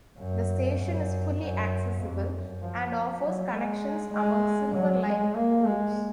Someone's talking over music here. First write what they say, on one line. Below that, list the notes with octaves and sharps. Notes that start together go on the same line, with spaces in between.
The station is fully accessible and offers connections among Silver Line routes.
F#2
F#2
F#2
F2
F#2
F3
F#3
G#3
G#3
F#3
G#3
A#3
G#3